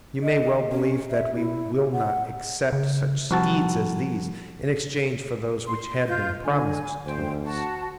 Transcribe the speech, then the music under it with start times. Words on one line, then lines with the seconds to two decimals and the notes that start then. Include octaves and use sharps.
"You may well believe that we will not accept such steeds as these in exchange for those which had been promised to us."
0.23 D#5
0.72 C#4
1.10 E5
1.35 E4
1.76 G4
1.92 F#5
2.73 C#3
3.31 C2 F3 F#4 A5
5.66 C6
6.07 F4 G6
6.45 D3 G#5
7.06 D2 C5 G5
7.44 F#4 A5